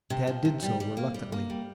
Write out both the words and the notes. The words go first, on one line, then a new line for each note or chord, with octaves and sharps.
Tad did so reluctantly.
C3
F3
C3
G3
G3
A#3
G3
A#3
G3